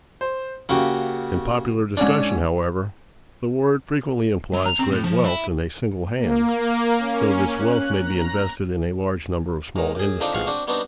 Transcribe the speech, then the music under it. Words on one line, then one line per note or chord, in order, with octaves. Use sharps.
In popular discussion, however, the word frequently implies great wealth in a single hand, though this wealth may be invested in a large number of small industries.
C5
C#3 A#3 F#4 G4
G#2 C#4 D4 D5
F#3
A#5
C4
A2
F3
E4
A#3
C#4
F#6
A#5
G#2 D#3
F#2 G#4
D3 F3 C4 D4 D#4
A1 F3 G#3 F5 F#5 C#6
C4 D4 F#4
G3 B3 C4 D4 D#4 F#4